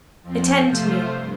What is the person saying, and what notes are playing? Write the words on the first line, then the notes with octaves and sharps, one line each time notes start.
"Attend to me."
F2 F3 C4
C3 F3 A3 F4 C5
G2